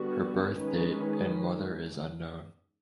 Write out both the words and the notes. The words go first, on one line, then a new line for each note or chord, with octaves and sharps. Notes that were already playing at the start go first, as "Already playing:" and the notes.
Her birth date and mother is unknown.
Already playing: D3 G3 B3 F#4
D#3 G#3 C#4 B4